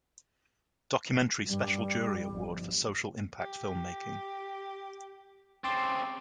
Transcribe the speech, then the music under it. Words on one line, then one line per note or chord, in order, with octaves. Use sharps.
Documentary Special Jury Award for Social Impact Filmmaking.
G2 G3
G1 F3
G4
C#3 C4 G5 C6 D6 A6